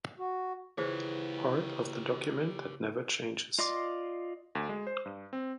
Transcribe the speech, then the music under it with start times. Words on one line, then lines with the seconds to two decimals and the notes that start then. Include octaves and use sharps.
Part of the document that never changes.
0.19 F#4
0.78 C#2 C#3 E3 G4 G#4 C5 C#5
3.59 F4 D5 D#5 C6 D6
4.55 D2
4.69 G#3
4.87 C5
5.05 G2
5.33 C4